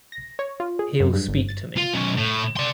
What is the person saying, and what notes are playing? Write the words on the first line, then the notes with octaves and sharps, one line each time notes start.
He’ll speak to me.
A#6
C#5
F4
G#4
F#2
G2
G1
A6
F4
B1 C#4
A2
D5 C6